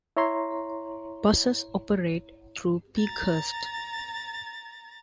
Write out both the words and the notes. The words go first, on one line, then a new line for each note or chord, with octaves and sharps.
Buses operate through Peakhurst.
E4 C#5 A#5 C6
A#5 A6